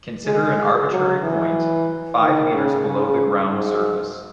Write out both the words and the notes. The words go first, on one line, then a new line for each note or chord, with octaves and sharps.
Consider an arbitrary point five meters below the ground surface.
G#3
F#3
E3
D#3
C#3
C#3
G#2